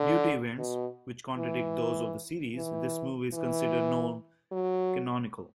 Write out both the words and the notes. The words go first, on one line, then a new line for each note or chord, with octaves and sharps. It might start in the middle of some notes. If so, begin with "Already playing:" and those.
Due to events, which contradict those of the series, this movie is considered non-canonical.
Already playing: D3
B2
E3
E3
E3
F#3